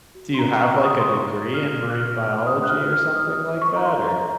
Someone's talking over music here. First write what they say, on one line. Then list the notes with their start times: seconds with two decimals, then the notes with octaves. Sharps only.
do you have, like, a degree in marine biology or something like that, or
0.15 F#4
0.34 C6
0.39 A#5
0.46 F#4
0.62 C#6
0.77 F#4 C#6
0.85 D#6
0.99 C6
1.08 F#4 C#6
1.39 F#4
1.54 F6
1.69 F#4
1.90 F#6
2.00 F#4 F6
2.31 C5
2.47 D#6
2.62 C5 F#6
2.70 F6
2.92 C5 F6
3.15 D#6
3.23 F#4
3.54 C5
3.62 C#6
3.76 A#5
3.85 A#4 C6
4.08 A#5
4.16 C#5